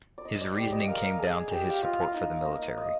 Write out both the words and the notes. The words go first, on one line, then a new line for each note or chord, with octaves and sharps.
His reasoning came down to his support for the military.
D5
D#5
D5
G4 D5
D#5
A#4 F5
F5
G#4
G4
F5
F4 D#5
F5
D#4 D#5
A#3 D#5
D#5